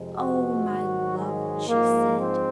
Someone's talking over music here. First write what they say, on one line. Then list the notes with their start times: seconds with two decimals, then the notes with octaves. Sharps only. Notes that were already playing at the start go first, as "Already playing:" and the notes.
"Oh, my love!" she said.
Already playing: F2 C3 F3 G#3
0.15 F#4
0.66 G#2 D#3 F#3
1.18 G#3
1.69 G#2 F3 G#3 A#3
2.20 C4